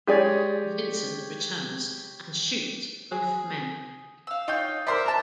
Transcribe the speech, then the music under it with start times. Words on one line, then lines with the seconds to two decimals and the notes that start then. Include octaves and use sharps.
Vincent returns and shoots both men.
0.07 G#3 G4 G#4 C#5 D5
3.12 G#4
4.27 F5 E6
4.48 D#4 F4 C#5 G5
4.87 A#4 C5 D5 E5
5.06 A5 A#5